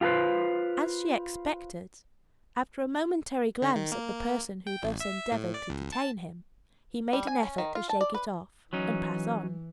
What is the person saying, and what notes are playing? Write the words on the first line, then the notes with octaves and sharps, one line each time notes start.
As she expected, after a momentary glance at the person who thus endeavoured to detain him, he made an effort to shake it off, and pass on.
F4 G4 A4 B4 C5
D3
D#3
A#3
G5
A1
E5
A2
D5
C#2
A5
G3
G#5
C#4
D#3
F4
A5
D5
B4
E3 F#3 C#4 D#4